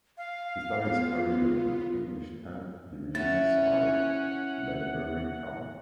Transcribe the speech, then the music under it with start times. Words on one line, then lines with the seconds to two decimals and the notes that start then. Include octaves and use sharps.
He started his career with English tenth division side Ledbury Town.
0.18 F5
0.83 B3 F4
3.15 C#4 E4 F#5 A6